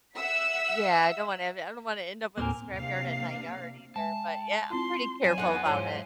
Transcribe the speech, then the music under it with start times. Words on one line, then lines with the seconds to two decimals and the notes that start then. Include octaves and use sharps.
Yeah, I don't wanna and I don't wanna end up with a scrap yard at my yard either, but, yeah, I'm pretty careful about it.
0.17 E5 F#5 E6 B6
2.38 D#2 A2 A#3 C4 A#4 G#5
2.75 C3 A#3 D4 F5
3.96 G#3 E5 G#5 A5
4.27 G5
4.70 C4 E4 F4 C6
5.24 F#3 C5 C#5 G#5
5.38 F2 B3 D#4 D#5 F#5
5.66 E2 G#2 F3 C5 C#5